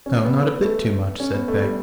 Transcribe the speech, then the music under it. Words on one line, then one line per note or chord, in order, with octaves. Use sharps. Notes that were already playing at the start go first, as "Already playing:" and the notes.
'No, not a bit too much,' said Peg.
C#4
B3
B3
A3
C#4
B3
A3
G3